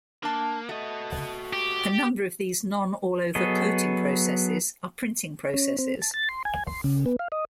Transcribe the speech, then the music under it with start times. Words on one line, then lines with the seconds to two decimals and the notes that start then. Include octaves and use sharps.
A number of these non-all-over coating processes are printing processes.
0.23 A#3 D4 A5
0.69 A3 F#4 D#5
1.53 G4
3.35 F#3 B3 G#4 A4 D#5
5.54 C#4
5.78 C4
6.02 A5
6.14 A6
6.29 C6
6.45 G#5
6.67 C6
6.84 C#3
7.06 B3
7.19 F5
7.32 D#5